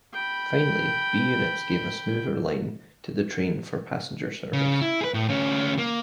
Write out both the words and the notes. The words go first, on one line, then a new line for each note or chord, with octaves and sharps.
Finally, B units gave a smoother line to the train for passenger service.
G5 B5
C#3
E4
G#4 B4
A2
D2 C#4
A#3